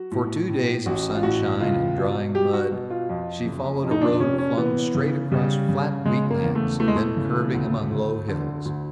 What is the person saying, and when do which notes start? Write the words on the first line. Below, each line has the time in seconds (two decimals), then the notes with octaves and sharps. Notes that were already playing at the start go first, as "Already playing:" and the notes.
For two days of sunshine and drying mud she followed a road flung straight across flat wheatlands, then curving among low hills.
Already playing: F#3 F#4
0.12 A2
0.49 A2
0.86 A1 F#4
1.15 F4
1.23 A2 F#4
1.60 C#2 F4
1.98 B2
2.35 F#3 G4
2.53 F#4
2.72 B2
2.90 F4
3.09 F2
3.46 F#1
3.83 F2
3.91 D#4
4.01 D4
4.20 C3 C#4
4.38 C#4
4.57 E3 B3
4.95 C#3
5.32 C#3 G3
5.69 C#3
6.05 C#3 G#3
6.31 A#3
6.43 E2
6.55 A3
6.80 E3 A3
6.88 G#3
6.96 A3
7.17 C#3
7.54 D2
7.91 D2
8.28 D3
8.65 D2